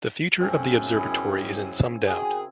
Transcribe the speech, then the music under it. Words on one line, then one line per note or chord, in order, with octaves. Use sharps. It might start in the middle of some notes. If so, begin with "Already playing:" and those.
The future of the observatory is in some doubt.
B1 F#2 C#3 A3 C4 C#4 G#5
E4 G#4
F#4 G#4 A#4 G5 G#5